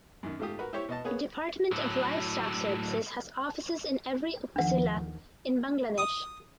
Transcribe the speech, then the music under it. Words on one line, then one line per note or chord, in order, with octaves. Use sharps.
Department of Livestock Services has offices in every upazila in Bangladesh.
F#2 D#3
G#2 A3 F4 G4 D#6
F#4 A#4 B4
E4 G4 C5 C#5 C#6
B2 D#5 A5
A#3 B3 G#4 B4 C#5
A2 F#3
D#2 D#3 F3 D4 F#5
D#6